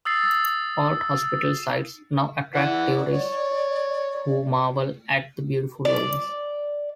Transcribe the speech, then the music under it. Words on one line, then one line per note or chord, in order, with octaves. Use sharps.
Old hospital sites now attract tourists, who marvel at the beautiful ruins.
D#6 E6 A6 C7
E3 D5 F#5
C#5
D5